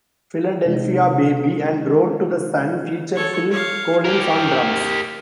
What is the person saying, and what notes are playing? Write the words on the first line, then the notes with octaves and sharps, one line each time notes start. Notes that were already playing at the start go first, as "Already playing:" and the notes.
"Philadelphia Baby" and "Road to the Sun" feature Phil Collins on drums.
C3 G#3 D#4
A4 C#5
C#5 F5
G4 A#4